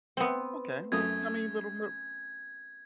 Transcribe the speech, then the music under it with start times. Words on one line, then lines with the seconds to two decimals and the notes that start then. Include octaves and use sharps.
Okay. Well, tell me a little bit
0.17 B3 C4
0.92 F#2 A3 D#6 G#6